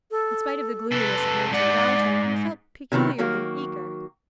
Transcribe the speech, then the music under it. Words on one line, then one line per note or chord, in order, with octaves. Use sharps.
In spite of the gloominess of nature around him, he felt peculiarly eager.
A4
C3 A4 B4
G#2 D5 F#5
C3 D#3 F#3 B3
D#3 F#3 A#3 F#4